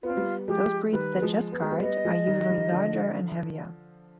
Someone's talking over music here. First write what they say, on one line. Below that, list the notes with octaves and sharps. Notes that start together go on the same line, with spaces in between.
Those breeds that just guard are usually larger and heavier.
B3 F4
C4
G3 B3
F3 G#3 G4
D#3 G3 B4
B3
F3 G#3
B3
G#3
G3 B3
G3 B3 D#5
F3 G#3
D#3 G3
D#3 G3
D3 F3